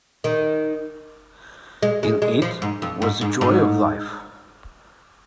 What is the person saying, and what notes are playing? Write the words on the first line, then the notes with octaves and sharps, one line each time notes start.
In it was the joy of life.
D#3
G#3
G#3
G#3
F3
G#2
F2
G#2
G#2
G#2